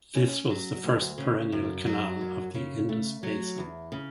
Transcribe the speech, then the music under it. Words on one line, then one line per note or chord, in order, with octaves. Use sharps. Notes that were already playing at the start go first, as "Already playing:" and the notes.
This was first perennial canal of the Indus Basin.
C#4
F#3
D2
C#3
F#2
F#3
F#2
C#3
A3
F#3
E2
C#3